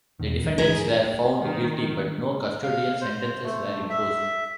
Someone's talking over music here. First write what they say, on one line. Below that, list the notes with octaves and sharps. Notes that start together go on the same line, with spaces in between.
The defendants were found guilty, but no custodial sentences were imposed.
E2 B2 D#3
D1 A#1
D2 G#2 E3 G#4 A#4
D#3
F5
C5
A3
E5